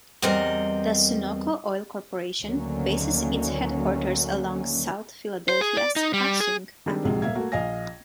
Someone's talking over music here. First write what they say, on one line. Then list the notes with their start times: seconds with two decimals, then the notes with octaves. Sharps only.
The Sunoco oil corporation bases its headquarters along South Philadelphia's Passyunk Avenue.
0.22 E2 G3 C4 A#4 C5 D#5
2.43 D2 D3 D#3 F#3 A#3 C#4
5.49 C5
5.61 G#4
5.77 D5
5.96 D#4
6.14 G3
6.40 G#4
6.86 D#3 G3 G#3 C4 D4
7.05 A#1 G#2 C3 G#3
7.22 D#1 A#3 E5 F5 G#6
7.35 A3 A#3 F#4
7.52 A#1 D#5 F5 G#5 A#6